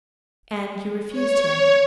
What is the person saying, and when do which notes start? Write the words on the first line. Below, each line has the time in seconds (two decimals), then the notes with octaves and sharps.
'And you refused him?'
1.09 C#5